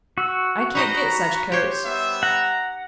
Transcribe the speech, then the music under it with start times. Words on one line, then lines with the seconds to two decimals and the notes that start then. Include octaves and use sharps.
I can't get such coats.
0.18 F#4 E6
0.75 D#4 C5 D#5 A#5 B5
1.52 G4 C5 C#5
1.85 G3 B3 E5
2.23 F#5 A#5